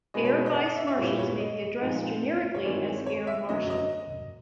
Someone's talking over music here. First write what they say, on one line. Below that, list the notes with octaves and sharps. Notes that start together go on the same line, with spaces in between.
Air vice-marshals may be addressed generically as "air marshal".
B2 G#3 B3 D4 D#5
C#5
C#5
D#5
F#5
D#5
E5
E5
A#2 G3 B3 E4 C#5
C#5
D#5
A#2 F3 G#3 C4 D#4
C#5
G2 D#3 G#3 C4 E4 D5
C#5
C#5
E5
F#2 D3 F#3 D#5
D#5